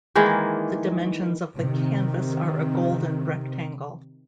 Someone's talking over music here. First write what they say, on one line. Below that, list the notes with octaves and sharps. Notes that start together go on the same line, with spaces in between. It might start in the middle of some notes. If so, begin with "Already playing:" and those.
The dimensions of the canvas are a golden rectangle.
D#3 E3 G#3 A#3
C3 D#3